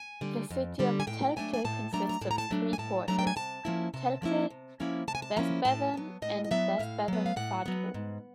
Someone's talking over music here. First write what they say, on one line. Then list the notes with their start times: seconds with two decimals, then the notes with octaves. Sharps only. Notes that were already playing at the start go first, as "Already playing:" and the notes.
The city of Telgte consists of three quarters: Telgte, Westbevern and Westbevern Vadrup.
Already playing: G#5
0.21 D3 G3
0.51 F2
0.79 D3 G3
1.00 G#5
1.07 A2 G5
1.36 F#3 A3 D4 G#5
1.54 G#5
1.65 A2 A5
1.93 F#3 A3 D4 A#5
2.09 A#5
2.21 A2 A5
2.31 A#5
2.38 A5
2.51 F#3 A3 D4
2.73 G#5
2.78 A2 A5
3.08 F#3 A3 D4 A#5
3.19 G5
3.27 G#5
3.36 C3 A5
3.65 F3 A#3 C#4 E4
3.94 C3 A5
4.22 F3 A#3 C#4 E4
4.50 C3
4.80 F3 A#3 C#4 E4
5.08 C3 A5
5.15 G#5
5.22 A5
5.36 F3 A#3 C#4 E4 A#5
5.65 A2 A5
5.94 F#3 B3
6.22 A2 D#5
6.44 D#5
6.51 F#3 B3 E5
6.79 A2 F5
7.08 F#3 B3
7.26 F5
7.36 A2 F#5
7.66 F#3 B3
7.94 G#2